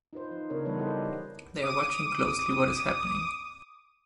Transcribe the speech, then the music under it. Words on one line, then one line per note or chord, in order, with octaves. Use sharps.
They're watching closely what is happening.
D#4 F4 B4 C5
F3 D#4
C#3 B3 D4 A#4 C#5
E3 G3 B3 D#4 B4 C#5
E4 G4 A4 B4 C5 D#5
D6 D#6 D#7